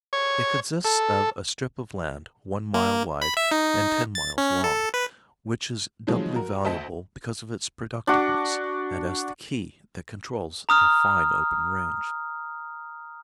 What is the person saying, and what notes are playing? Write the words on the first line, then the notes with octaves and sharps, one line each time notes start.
It consists of a strip of land one mile wide and ten miles long, which is doubly valuable because of its productiveness and as the key that controls a fine open range.
C#5
A4
A#3
B5
E5
D#4
A6
C#4
A4
B4
D#3 F3 F#3 G#3 A3 C4
F#4 A#4
D2 C5 D#5 A5 B6
D4 F#4
A#5 D#6 F6